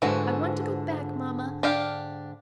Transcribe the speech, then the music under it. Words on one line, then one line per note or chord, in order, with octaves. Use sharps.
I want to go back, mamma.
G#2 D3 E3 F3 F#4
D4 G4 F5